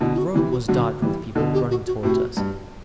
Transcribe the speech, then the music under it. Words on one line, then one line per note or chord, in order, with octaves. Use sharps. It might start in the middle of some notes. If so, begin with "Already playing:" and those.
The road was dotted with people running towards us.
B2 D3 E4
E4
F#4
C3 E3 E4
F#4
D3 F#3 F#4
E3 G3
B2 D3 A4
G4
F#4
F#4
A2 C3 F#4
G2